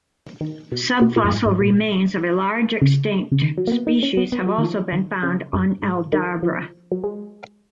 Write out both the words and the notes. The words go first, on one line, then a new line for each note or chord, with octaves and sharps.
Subfossil remains of a large, extinct, species have also been found on Aldabra.
D#3
B2
B2
A#2
F#2
G#2
G#2
A#2
C#3
C#3
D#3
F#3
A#3
B3
D#4
C#4
B3
B3
F#3
D#3
F3
D#3
C#3
F#2
G#2
D#3
F3
F#3
G#3